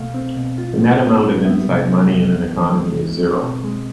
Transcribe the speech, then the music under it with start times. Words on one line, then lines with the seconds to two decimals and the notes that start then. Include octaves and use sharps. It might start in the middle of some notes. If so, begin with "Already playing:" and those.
The net amount of inside money in an economy is zero.
Already playing: C2 B2 A3 F5
0.14 C4
0.36 B2
0.58 F4
0.81 G#3
1.02 C4
1.24 G#2
1.45 B3 E5
1.67 C3
1.89 G#3
2.11 D2
2.32 B3
2.54 E3
2.76 G#3
2.98 G#2
3.20 C4
3.42 B2
3.64 G#3